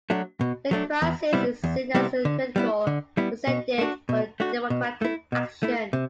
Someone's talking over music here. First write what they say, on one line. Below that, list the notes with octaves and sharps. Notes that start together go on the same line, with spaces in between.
The Crisis is seen as a critical precedent for democratic action.
F#3 A3 D4
B2
F#3 A3 D4
E2
C3 G3 B3 E4
E2
C3 G3 B3 E4
D3
G3 B3 E4
D3
G3 B3 E4
B2
A3 D4 F#4
B2
A3 D4 F#4
B2
A3 E4
B2
A3 E4
C3